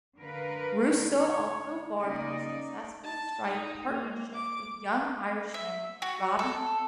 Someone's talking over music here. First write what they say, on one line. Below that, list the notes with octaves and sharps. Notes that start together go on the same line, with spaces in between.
Roussel also formed a successful strike partnership with young Irishman Robbie Keane.
D3 A#4 B4 F5
C#5
C#3 A#3 D#4 D5 D#5
A5
D#4
A#3
D6
E5
F#4
A4